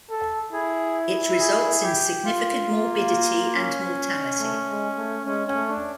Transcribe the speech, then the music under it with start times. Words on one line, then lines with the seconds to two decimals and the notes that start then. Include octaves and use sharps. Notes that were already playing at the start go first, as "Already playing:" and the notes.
It results in significant morbidity and mortality.
0.10 A4
0.53 E4 G#4
1.39 G#4
1.82 G4
2.24 F4
2.68 A#3
3.54 C#4
4.39 A3
4.69 G#3
4.97 A3
5.26 G#3 C#4
5.47 C#4
5.54 A3
5.69 D4